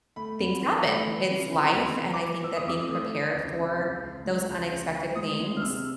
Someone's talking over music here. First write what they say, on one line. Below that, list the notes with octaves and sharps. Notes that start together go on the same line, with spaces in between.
things happen! It's life, and, I think that being prepared for those unexpected things,
A3 B5
F2
E3 B5
A3
E3
C#3
C#3 B5
F2
C6
E3
D6
E3
E3 E6
D#6
F2 D6
D#6
A3
E3
C#2
C3
C#2
C#2
G#3
C#2
C#2
E3
G#3 D#6
G#3
F6
C3 E6